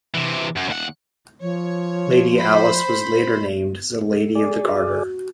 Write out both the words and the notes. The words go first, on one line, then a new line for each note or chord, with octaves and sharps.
Lady Alice was later named as a Lady of the Garter.
C3 E3
F#2
D#2 F#5
F3 C#5
C5 B5
A4
G#4 D5
F#4
F#4